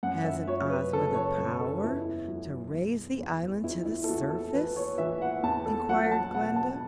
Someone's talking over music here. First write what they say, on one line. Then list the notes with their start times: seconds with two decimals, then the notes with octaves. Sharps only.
"Hasn't Ozma the power to raise the island to the surface?" inquired Glinda.
0.03 F#2 F#5
0.25 E5
0.47 F#3 C#5
0.70 B4
0.93 C#3 A4
1.15 C#5
1.38 F#2 B4
1.60 A4
1.83 E2 E4
2.28 F#3
2.73 B2
3.18 E2
3.64 E2 E4
3.86 E4
4.04 A4
4.08 E2 F#4
4.30 A4
4.54 E3 B4
4.76 C#5
4.98 E3 E5
5.22 F#5
5.43 E2 A5
5.66 A4
5.89 F#3 F#5
6.11 A5
6.34 B2 F#5
6.56 A5